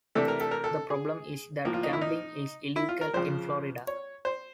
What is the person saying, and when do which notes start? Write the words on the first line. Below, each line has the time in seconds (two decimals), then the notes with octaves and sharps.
The problem is that gambling is illegal in Florida.
0.15 C3 E3 A3 D4 A4
0.28 A#4
0.40 A4
0.51 A#4
0.64 A4
0.90 G#4
1.65 A2 F3 A#3
1.74 F4
1.83 D#4
1.93 E4
2.01 D#4
2.76 E4
2.89 F4
3.01 A#4
3.13 F2 C#3 F3 C5
3.87 C#5
4.25 C5